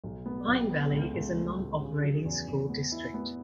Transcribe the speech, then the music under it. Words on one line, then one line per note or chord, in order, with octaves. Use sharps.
Pine Valley is a non-operating school district.
B1
B3
B1
B3
C#2
C#2
A3
C#2
C#3
F#3
E2
E2
B3
E4
B3